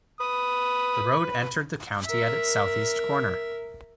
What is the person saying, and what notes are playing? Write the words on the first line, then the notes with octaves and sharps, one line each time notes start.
The road entered the county at its southeast corner.
B4 D#6
A#4 E5